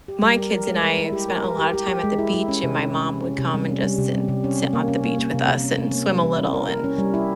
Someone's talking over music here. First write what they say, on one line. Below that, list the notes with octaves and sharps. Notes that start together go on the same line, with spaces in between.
my kids and I spent a lot of time at the beach, and my mom would come and just sit sit on the beach with us and swim a little and,
G4
G3
A#4
A#4
G#3
A#4
E4
G4
A#4
A#4
G4
G4
G4
G#3
E4
E4
C#4
C3
C#4
C#4
C#4
C#4
C3
G3
C#4
G3
C3
G3
C3
C#4
C#4
A#3
C#4
A#3
A#3
C3
C3
C#4
C#4
A#3
G3
E4
C#4
A#4
A#4
C#4
G3
E4